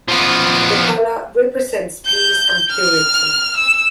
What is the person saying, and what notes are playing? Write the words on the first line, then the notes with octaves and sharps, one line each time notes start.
The color represents peace and purity.
F3 B3
G6
F6
E6